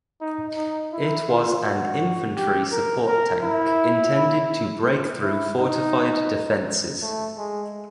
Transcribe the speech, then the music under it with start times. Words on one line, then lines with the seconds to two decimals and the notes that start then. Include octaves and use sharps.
It was an infantry support tank intended to break through fortified defences.
0.21 D#4
0.56 D#4
0.93 E4
1.28 F4
1.64 F#4
2.36 G4
2.72 A#4
3.07 A#4
3.44 E4
5.22 E4
5.59 D#4
7.02 A3
7.38 G#3